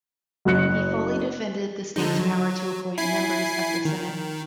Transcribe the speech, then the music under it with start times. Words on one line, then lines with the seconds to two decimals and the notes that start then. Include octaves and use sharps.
He fully defended the state's' power to appoint members of the senate.
0.45 F#1 F#4 D#5 F#6 C#7
1.96 D3 F3 D#4
2.19 F#3
2.98 E4 G#5 C7
3.85 D#3